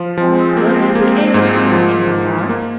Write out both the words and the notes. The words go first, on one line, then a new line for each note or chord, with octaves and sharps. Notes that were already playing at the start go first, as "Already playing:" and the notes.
"Will they be able to run in by dark?"
Already playing: F3 F4
F3 G#3 C4
A#3
G#3 A#3 C4
G#2 G#3 C4
F3
G#2
A#3